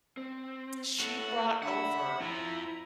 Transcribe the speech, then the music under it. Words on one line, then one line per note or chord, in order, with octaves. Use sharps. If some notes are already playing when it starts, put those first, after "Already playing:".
she brought over
C4
A2 F#4 A4
D3 E5 F#5 B5
F2 F3 E4 A#5